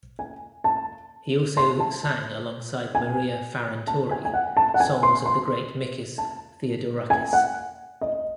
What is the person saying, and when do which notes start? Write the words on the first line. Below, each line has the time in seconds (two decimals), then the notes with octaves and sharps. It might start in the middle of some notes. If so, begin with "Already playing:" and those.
He also sang alongside Maria Farantouri, songs of the great Mikis Theodorakis.
0.19 G#5
0.64 A5
1.57 C6
1.80 A5
2.03 A5
2.95 G#5
3.87 A5
4.11 G#5
4.25 G#5
4.34 F#5
4.57 A5
4.74 F#5
4.80 G#5
5.03 C6
5.26 C6
6.18 A5
7.10 G#5
7.33 F#5
8.01 D#5